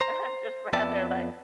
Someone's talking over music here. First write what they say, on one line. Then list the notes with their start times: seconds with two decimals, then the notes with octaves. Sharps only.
I'm just rather, like,
0.01 C5 A#5
0.73 F2 B3 D5 E5 A5